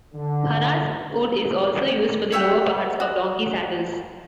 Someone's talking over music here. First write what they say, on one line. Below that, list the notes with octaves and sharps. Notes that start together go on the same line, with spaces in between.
"Haraz" wood is also used for the lower parts of donkey saddles.
D3
C#5 E5 F#5 G5
F#4